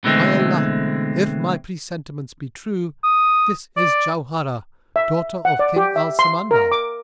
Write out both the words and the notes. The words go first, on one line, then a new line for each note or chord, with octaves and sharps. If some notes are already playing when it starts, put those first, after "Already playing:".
By Allah, if my presentiments be true, this is Jauharah, daughter of King Al-Samandal!
B2 D3 E3 G#3 A3 C4
D#6
D5
E5
F#5
D5
G4
E5
C6
A#4
D6